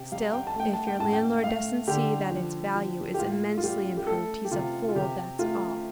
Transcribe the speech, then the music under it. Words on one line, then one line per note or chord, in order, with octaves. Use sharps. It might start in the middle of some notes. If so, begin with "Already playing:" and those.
Still, if your landlord doesn't see that its value is immensely improved, he's a fool, that's all.
Already playing: C3 G4
G3 F5
G5
A5
A3 G5
A5
G5
A2 A5
G5
A3 F5
D3 G4
F3
F3
G4
A2 F4
F4
G3 G4
G4
A3 A4
G4
C3 F4
F4
C3 G4
A3 F4